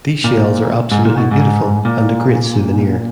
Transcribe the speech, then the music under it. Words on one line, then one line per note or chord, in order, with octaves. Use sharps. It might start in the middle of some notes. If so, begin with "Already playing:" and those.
These shells are absolutely beautiful and a great souvenir.
A#2
G#2
A#2
B2
G#2
A#2